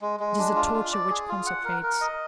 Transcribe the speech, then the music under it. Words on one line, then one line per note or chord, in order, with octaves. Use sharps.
It is a torture which consecrates.
G#3
G#3
D4
F4
F4
D5
G#4
F4
F#5
A#4
A#4
D#5